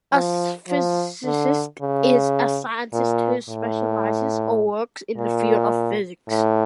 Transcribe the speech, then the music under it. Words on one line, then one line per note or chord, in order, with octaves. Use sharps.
A physicist is a scientist who specializes or works in the field of physics.
F3
F3
D3
C#3
A#2
A2
A#2
A2